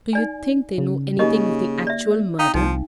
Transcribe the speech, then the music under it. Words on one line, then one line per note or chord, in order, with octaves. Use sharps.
"Do you think they know anything of the actual murder?"
D#4 D5 G#5
C#3
C#3 A#3 D#4 G4 D#5
D5 E5
D#4 F5 G5
C2 F3 D#4